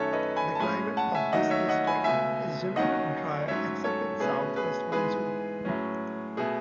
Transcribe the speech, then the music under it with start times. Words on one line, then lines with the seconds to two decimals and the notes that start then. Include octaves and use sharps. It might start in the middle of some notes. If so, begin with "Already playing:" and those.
The climate of this district is generally dry except in south-west monsoon.
Already playing: F#2 D#3 A3 C#4 A4 C#5
0.13 B4 D#5
0.36 G#5 B5
0.55 A5
0.60 A2 G#3 C#4 G#5 B5
0.97 F#5 A5
1.15 E5 G#5
1.32 D#2 D#3 F#3 A3 D#5 F#5
1.50 C#5 E5
1.69 D#5 F#5
1.87 G#5 B5
2.04 C#2 B2 A3 E5 G#5
2.76 D#2 D#3 F#3 C#4 D#5 F#5
3.48 G#2 F#3 A3 C#4 C#5 E5
3.84 A4 C#5
4.20 B2 A3 C#4 G#4 B4
4.56 G#4 B4
4.92 G#2 E3 G#3 B3 G#4 B4
5.65 A2 F#3 C#4
6.37 B2 A3 G#4